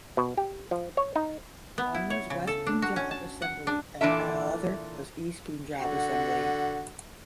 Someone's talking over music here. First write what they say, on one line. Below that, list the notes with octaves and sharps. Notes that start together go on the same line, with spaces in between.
One was West Punjab Assembly and other was East Punjab Assembly.
B2
G4
F3
C#5
D#4
B3
E4
C#5
C#3
A4
D4
F#4
C#4
A5
F#5
D4
A#2 E3 D4 A4 E5
D3 F#4